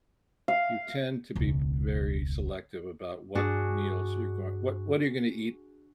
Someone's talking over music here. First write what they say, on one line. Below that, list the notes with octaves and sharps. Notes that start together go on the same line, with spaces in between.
you tend to be very selective about what meals you're goin what what you're gonna eat
F5
E1 C#2
G2 D4 F#4 G#4